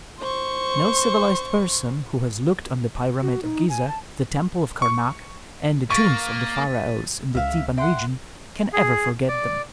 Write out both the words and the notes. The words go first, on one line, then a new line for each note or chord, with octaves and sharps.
No civilized person who has looked on the pyramid of Ghizeh, the temple of Karnak, and the tombs of the pharaohs in the Theban region, can ever forget them.
C5 C#6
F#4
D#4
G#5
A5
C#6
A#3 C#6 A6 B6 D#7
C#2 E5 F5
E5 F#5 G5 C6
G#4
D5